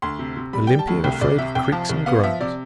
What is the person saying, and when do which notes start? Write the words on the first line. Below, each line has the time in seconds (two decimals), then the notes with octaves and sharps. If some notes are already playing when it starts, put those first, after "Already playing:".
Olympia afraid of creaks and groans?
0.02 D2 C6
0.19 C3
0.36 C3
0.53 G3 B5
0.67 G3 G5
0.79 A5
0.87 D2
1.04 C2 G5
1.21 C2 D5
1.38 C3 E5
1.55 C2 G5
1.72 F3 A5
1.89 C2
2.06 B3 F5
2.23 F3 E5
2.40 C3 D5